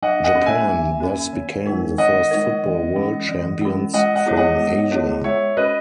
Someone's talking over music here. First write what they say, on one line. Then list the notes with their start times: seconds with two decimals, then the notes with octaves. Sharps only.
Japan thus became the first football world champions from Asia.
0.02 F#3 D#5 F#5
0.24 D#5 F#5
0.35 A#3 C#4
0.46 E5 G#5
0.68 F#3
1.00 A#3 C#4
1.33 D#3
1.66 G#3 D#4 A#4
1.98 D#3 D#5 F#5
2.31 G#3 D#4 A#4
2.63 E3
2.96 G#3 C#4
3.29 E3
3.61 G#3 C#4
3.94 G#3 D#5 F#5
4.15 D#5 F#5
4.26 B3 E4 G#4 C#5
4.37 D#5 F#5
4.59 G#3
4.91 B3 E4 G#4 C#5
5.24 G#3 C#5 E5
5.57 C#4 F#4 B4 D#5